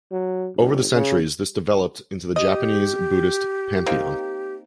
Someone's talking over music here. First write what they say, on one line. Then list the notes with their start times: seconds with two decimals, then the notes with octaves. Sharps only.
Over the centuries this developed into the Japanese Buddhist pantheon.
0.12 F#3
0.56 G1
0.93 C#3
2.36 G4 D#5
3.86 A#3 C4 D#4